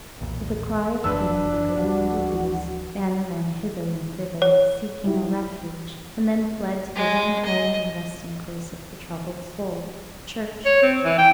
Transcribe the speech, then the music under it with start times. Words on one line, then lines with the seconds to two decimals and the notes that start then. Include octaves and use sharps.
With a cry of pain, like a wounded beast, Anna ran hither and thither seeking a refuge, and then fled to the one home and resting-place of the troubled soul--the church.
0.21 B1 E2 A#2
1.04 F1 F#2 E3 D4 B4 A5 E6
1.75 D1 F3 F#4
4.42 C#5
5.04 G3 E4
6.96 G#3
7.45 D#5
10.65 C#5
10.83 C4
11.04 E3
11.18 G5